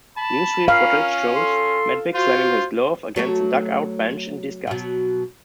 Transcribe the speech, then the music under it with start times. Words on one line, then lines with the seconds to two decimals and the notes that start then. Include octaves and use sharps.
Newsreel footage shows Medwick slamming his glove against the dugout bench in disgust.
0.17 A5 B5
0.68 C#4 A#4 F5
1.36 A4 C6
2.15 F4 F#4 C5
3.16 F#3 A3 F#4
4.67 B2 F#3